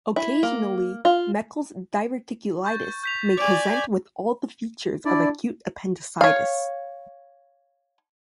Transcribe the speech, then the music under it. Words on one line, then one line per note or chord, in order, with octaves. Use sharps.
Occasionally, Meckel's diverticulitis may present with all the features of acute appendicitis.
E4
A#3
F4
C#6 G6 A6
G6 B6 F7
D5 G#5 D6
D4 E4 D5
C#5 F5